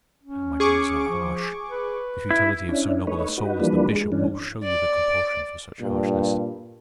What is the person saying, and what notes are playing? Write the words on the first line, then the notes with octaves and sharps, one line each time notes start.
My views are harsh; the futility of so noble a soul as the Bishop will show you the compulsion for such harshness.
C#4
G#4 C#6 D6
F3
B4
E4
C#4 D4 E4
A3 D#4 B4 C#5
D#4 F#4 B4
E3 F3 G3 A#3 D4 B4
G#3
G2 E3 C#4 D4
D5
G2 A#2